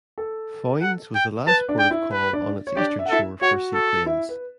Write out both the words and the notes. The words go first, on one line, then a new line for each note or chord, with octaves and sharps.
Foynes was the last port of call on its eastern shore for seaplanes.
A4
F#5
G5
B4 A5
D4 D5
G5
E4 E5
B4
D4 D5
C#5
D4 G4 D5
E5
F#5
E4 A4 E5
F#4 C#5 F#5
A4
E4 E5
B4